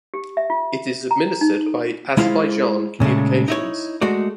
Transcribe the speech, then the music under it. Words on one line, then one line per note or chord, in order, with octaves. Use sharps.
It is administered by Azerbaijan Communications.
G4
E5
F4
A#5
D#4
A4
G#3 E4 F4 C5 F5
A#2 C#3 G#3 A3
D#4 E4 C#5
G#3 A3 F#4 D5